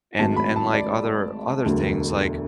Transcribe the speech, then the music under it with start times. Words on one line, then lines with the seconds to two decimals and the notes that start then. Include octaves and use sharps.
And and, like, other other things, like
0.19 G#1 G#2 F#3 A3 A5
0.36 B5
0.56 A5
0.74 D5
1.65 E1 D2 D3 F#3